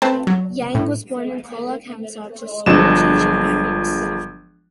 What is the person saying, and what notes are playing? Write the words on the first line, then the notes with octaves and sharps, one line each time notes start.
Yang was born in Kuala Kangsar to schoolteacher parents.
A3 C4 B4 C5 G5 A5
F#3
A2
G1 F3 F#3 G#3 D4 E7